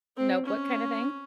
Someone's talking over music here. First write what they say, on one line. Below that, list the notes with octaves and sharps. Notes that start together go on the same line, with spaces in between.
notebook kinda thing?
C4
C#4